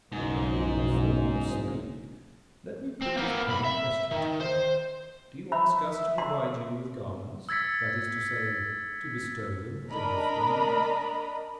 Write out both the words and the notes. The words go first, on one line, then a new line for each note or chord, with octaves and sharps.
"Only before you speak, let me put this plain question to you: Do you ask us to provide you with garments--that is to say, to bestow them as a gift on you?"
F#1 B1 G#2
C4
A#3 B3
B1 B5
E5
D#3
C5
E5 B5
C6
E6 G#6 A6 B6 C#7
D4 A#4 D#5 A#5 B5